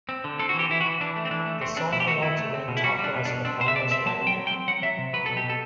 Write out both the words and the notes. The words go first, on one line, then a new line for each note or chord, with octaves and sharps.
The song went on to win top prize at the finals night in April.
C4
D3
C4 A4
F#4
E3
G4
E3 E4
F#4
E3
E3 D4
A3
C4
E3 D4
A3
A3 C4
C4 D4
B2 E4
G4
A3 F#4
C4 E4
A3
C4
B2
E4
G3 F#4
G3
D4
B2
D4
B2
C4 D4
B2 C5
E5
B2 D5
C4 E5
F#3 A5
C4
G5
F#3
G5
C4
F#3 F#5
F#3 E5
C3
F#3 B4
B2 A4
G4
B2
A4